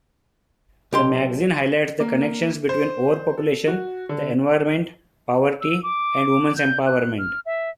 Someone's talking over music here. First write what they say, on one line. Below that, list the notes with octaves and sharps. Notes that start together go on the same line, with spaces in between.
The magazine highlights the connections between overpopulation, the environment, poverty, and women's empowerment.
B1 G4 C6
A#3
C5
A4
F#4
D3
E6
D6
G6
F#6
F6
E5